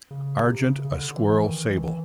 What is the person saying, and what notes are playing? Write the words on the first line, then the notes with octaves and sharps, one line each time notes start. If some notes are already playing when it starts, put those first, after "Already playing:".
Argent a Squirrel Sable.
C#3
C3
C#3
C#3
D3
E3
D#3
E3